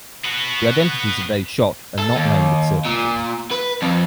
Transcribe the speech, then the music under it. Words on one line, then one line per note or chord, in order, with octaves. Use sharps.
The identities of those shot are not known with certainty.
B3 F#4
A4
D#2
A#2
B4
F2